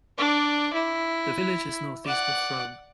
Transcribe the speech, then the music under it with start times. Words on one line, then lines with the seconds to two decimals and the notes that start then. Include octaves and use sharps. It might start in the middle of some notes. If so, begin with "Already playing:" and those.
The village is north-east of Frome.
0.18 D4 D5
0.73 E4
2.05 D5 F#5